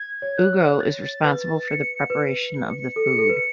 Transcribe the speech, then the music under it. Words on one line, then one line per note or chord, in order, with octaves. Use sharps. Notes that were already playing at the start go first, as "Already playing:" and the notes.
Ugo is responsible for the preparation of the food.
Already playing: G#6
C#5
C#5 F#6
F#6
A6
B4
C#7
B4
C#7
A4
G#4
A4
B4